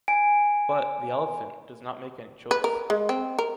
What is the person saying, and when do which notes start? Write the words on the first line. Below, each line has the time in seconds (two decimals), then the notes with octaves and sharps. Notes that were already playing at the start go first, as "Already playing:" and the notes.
But, the elephant, does not make any choice.
0.08 G#5 D7
2.51 B4
2.64 A#4
2.90 G#3
3.09 C4
3.39 A#4